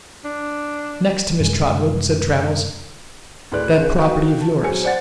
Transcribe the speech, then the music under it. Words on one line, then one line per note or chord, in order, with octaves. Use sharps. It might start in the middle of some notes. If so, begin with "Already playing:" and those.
'Next, Miss Trotwood,' said Traddles, 'that property of yours.'
D4
F#2 C3 G3 G#3
D2 A2 G#4 B4 D5 F#6
C#3
F#4 B4 D#5 F5 G5
A5
F#3 G#4 C5 G#5 C#7
C5 D5 F#5 A6